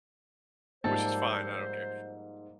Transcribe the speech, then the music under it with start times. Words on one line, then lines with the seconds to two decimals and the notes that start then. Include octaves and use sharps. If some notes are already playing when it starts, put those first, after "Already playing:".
which is fine, I don't care,
0.84 G#2 F3 G3 A#3 A4 C5